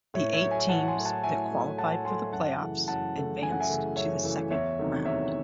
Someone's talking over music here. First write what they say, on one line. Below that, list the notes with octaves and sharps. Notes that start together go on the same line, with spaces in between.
The eight teams that qualified for the playoffs advanced to the second round.
A2 C#5 E5
C#5 E5
F#3 A3
E5 G#5
A2 F#5 A5
G#5 C6
F#3 A3
F#5 A5
A2 E5 G#5
F#3 A3
A2 F#5 A5
F#3 A3 G#5 C6
F#2 F#5 A5
C#3 E3 A3
F#2 F#5 A5
C#3 E3 A3
F#2 G#5
F#5
E5 G#5
C#3 E3 A3
F#2 C#5 E5
C#3 E3 A3
E2 C#5 E5
C3 D#3 F#3 A3
E2 C#5 E5